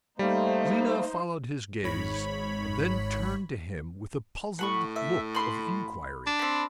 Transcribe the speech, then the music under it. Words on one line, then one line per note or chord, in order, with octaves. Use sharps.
Lena followed his gaze, and then turned to him with a puzzled look of inquiry.
G3 A3 A#3 D#4 C5
G#1 G#2 C#5 B5
A2 F#5 B5 C#6
E5
B5 C6
D4
C4 B5